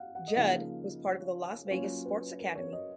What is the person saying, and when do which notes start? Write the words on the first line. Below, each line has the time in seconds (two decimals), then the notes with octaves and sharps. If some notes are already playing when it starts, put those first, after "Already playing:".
Judd was part of the Las Vegas Sports Academy.
Already playing: F5 F#5
0.15 F#5
0.28 D#5
0.36 C#3 F3 A#3 D#4 F5
1.04 C#5
1.67 B4
1.71 F#3 A#3 C#4 F4 C#5
2.05 B4
2.39 A#4
2.55 C#5
2.73 D#5